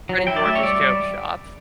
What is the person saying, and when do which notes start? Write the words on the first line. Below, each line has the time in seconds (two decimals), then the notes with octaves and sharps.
Fred and George's joke shop,
0.09 F#3
0.27 E4 G5
0.36 D5
0.45 A3 E5
0.55 C#5
0.63 G3 D5
0.81 G3